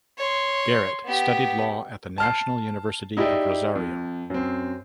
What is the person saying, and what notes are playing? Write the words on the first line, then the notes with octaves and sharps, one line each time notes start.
Garat studied law at the National University of Rosario.
C#5 C6
B3 G4
A5 F6 C7
D#4 E4 G4 G#4 D5 D#5
F2
F#2 C4